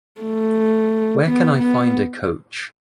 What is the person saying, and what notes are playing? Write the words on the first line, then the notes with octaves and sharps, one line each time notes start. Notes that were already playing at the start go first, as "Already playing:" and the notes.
Where can I find a coach?
A3
B3
B3